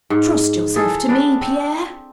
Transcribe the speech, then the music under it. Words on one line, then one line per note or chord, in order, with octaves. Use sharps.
Trust yourself to me, Pierre.
G#2
E3 G#4 A4
B3 D4
C4